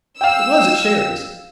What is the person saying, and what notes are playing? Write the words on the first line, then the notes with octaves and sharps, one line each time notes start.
It was at Sherry’s.
F5 G5 E6